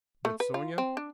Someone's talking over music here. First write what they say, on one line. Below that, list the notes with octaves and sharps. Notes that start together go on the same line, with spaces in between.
But Sonya?
A3
B4
F4
C4
D4